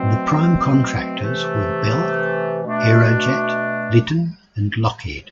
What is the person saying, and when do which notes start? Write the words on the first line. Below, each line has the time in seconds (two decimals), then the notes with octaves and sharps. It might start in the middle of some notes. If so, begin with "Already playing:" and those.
The prime contractors were Bell, Aerojet, Litton, and Lockheed.
Already playing: B2 F#3 A3 C4
1.19 C3 E3 A3
2.63 B2 A3 D4